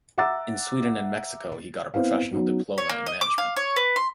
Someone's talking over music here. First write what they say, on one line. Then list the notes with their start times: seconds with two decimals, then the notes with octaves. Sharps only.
In Sweden and Mexico he got a Professional Diploma in Management.
0.18 E5 F#5 A#5 D6 E6 A6
1.94 B3 C4 E4 B4 F5
2.33 F#3 B3 C#4 D#4 F#4
2.78 C#5
2.89 A#3
3.06 D#5
3.21 D6
3.38 F5
3.56 C#5
3.76 B4
3.96 C6